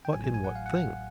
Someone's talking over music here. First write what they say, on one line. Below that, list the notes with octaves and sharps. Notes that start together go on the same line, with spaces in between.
But in what thing?
G5
A1 A2 F#3 G#5
G#5
G#5
F#5
F5
F#5
F#5